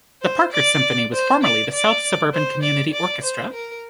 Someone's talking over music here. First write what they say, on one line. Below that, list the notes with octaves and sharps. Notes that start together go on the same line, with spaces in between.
The Parker Symphony was formerly the South Suburban Community Orchestra.
C5
D5
C5
D5
D5
C5
D5
D5
C5
A#4